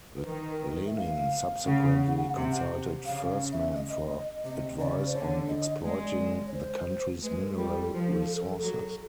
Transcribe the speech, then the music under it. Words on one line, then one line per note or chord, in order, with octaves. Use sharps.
Lenin subsequently consulted Fersman for advice on exploiting the country's mineral resources.
B4
D#3 A#4
B4
E5
F5
C#3 F#5
C3
C#3 F5
E5
D#5
C3 D#5
C#3 D5
C5
D3 C#5
D#5
G#3 D5
C#5
C5
G#3 B4
A#4
G3 A4
A4
F3
F#3